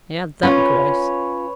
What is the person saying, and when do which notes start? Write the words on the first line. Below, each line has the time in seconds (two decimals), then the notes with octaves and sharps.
He had that grace.
0.43 C#4 F4 B4 C#5